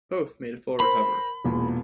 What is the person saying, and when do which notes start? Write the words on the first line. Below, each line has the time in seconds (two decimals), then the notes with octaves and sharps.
Both made a full recovery.
0.80 A#4 C5 B5 C6
1.44 E1 E2 A#2